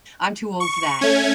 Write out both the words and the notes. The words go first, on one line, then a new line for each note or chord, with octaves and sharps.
I'm too old for that.
C#6
A3 C#4 G#6